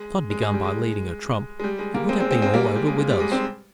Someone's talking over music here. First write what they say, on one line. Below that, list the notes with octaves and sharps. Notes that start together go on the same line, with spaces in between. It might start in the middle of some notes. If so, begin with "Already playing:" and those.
If I'd begun by leading a trump it would have been all over with us.
Already playing: G#3
G#3
G#3
G3
G#3
G#3
G3
G#3
G3 A#3
G#3 C4
G#3 C4
G#3 C4
G#3 C4
G3 A#3
G#3
G3
G#3
G#3
G3
G#3
G#3 C4